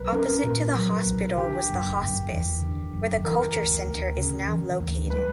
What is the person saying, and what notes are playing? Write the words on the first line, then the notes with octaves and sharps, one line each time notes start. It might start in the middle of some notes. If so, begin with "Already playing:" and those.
Opposite to the Hospital was the Hospice, where the Culture Center is now located.
Already playing: B1 A#4 B4
C#4 A#4
A#2
F#3
B1
D3 G4
F#1
F#1
E2
D3
F#1
E3 A#4
D2
D2
C#3
E3
D2
G3 B4